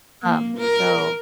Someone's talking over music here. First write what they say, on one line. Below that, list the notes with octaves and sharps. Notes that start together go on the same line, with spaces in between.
Um, so,
A#3
A#4